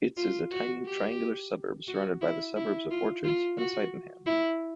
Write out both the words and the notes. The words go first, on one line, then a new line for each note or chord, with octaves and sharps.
Its is a tiny triangular suburb surrounded by the suburbs of Orchards and Sydenham.
F4
F#4
G4
F#4
E4
E4
F4
F4
F#4
E4